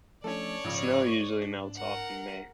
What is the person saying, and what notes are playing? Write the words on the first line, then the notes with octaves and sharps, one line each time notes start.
Snow usually melts off in May.
F3 A3 C#4 D4 A4 C#5 D5
A#1 G#2 C#3 F3
C#6
D4
A#4 F#5